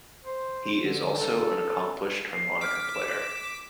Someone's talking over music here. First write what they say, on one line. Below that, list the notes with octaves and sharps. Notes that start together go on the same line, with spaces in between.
He is also an accomplished harmonica player.
C5
D3
A4
C7
D6 F6 B6
E7